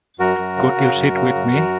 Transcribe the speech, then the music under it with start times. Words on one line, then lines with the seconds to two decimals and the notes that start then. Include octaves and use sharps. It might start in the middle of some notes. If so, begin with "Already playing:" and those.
Could you sit with me?
0.20 F#2 F#4 A#4
0.38 F#2
0.57 C#3
0.76 C#3
0.95 F#2
1.15 C#3
1.35 F#2
1.53 F#2